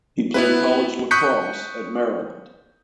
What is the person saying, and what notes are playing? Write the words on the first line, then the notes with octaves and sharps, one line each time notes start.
He played college lacrosse at Maryland.
B3 E4 B4
C#6 D#6 F#6 G6 B6 C#7